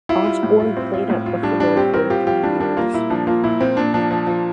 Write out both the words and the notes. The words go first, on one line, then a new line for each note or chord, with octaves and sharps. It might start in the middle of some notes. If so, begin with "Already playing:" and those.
Osborn played at Buffalo for three years.
E4 F4
G3
A2
F4
C4
F4
A2
F4
G3 D4
G3 D4
C4 G4
C4 A#4
F4 G4
F4 G4
G3 D4
G3 D4
A#3 F4
A#2 E4
F3 D4
A#3 F4
A#2 E4
A#2 C4
A#2 D4
F3 D4
F3
F3